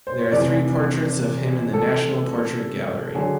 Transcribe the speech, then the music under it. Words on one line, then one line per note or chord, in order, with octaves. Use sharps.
There are three portraits of him in the National Portrait Gallery.
C5
C#5
F1 E2 C3 E3 D5
A4
D3 F#3 G#4